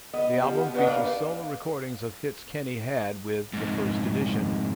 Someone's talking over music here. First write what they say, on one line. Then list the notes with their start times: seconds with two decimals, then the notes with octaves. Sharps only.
The album features solo re-recordings of hits Kenny had with The First Edition.
0.14 B3 D#5
0.42 F3 G4
0.59 B3 F#5
0.74 C#3 D4 B4 D#5
0.87 A#3 B4 D5 F5
3.53 F2 G#2